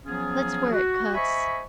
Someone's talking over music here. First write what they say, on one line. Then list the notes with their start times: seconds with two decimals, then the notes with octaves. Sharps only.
That's where it cuts.
0.05 F3 F#3 B3 C#4 F4 G#4
0.71 F#4
1.14 C5 D#5 E5 G#5 B5 C#6